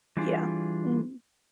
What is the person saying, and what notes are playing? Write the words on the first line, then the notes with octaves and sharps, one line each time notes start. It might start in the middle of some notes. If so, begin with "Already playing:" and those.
Yeah. Mhm.
E3 G3 D4 F4 G#4